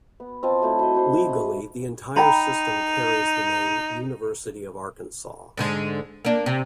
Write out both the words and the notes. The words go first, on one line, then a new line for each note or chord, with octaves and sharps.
Legally, the entire system carries the name University of Arkansas.
B3
C4 F4 D#5 A5
F#3 A3 C4 E4
E4 C5 D#5
F#4 C5 C6
B5 D#6
D#4 G5 A#5 B5
G#2 D3 G#3
A#3 D4
C3